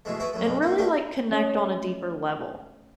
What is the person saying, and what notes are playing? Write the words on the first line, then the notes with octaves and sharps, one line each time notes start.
and really, like, connect on a deeper level.
B2 E3 G#3 A3
B3 E4 F#4 B4
F#2 A3
B1 B2
C3 A#3
A3 A#3 D4
A3 C#4 D#5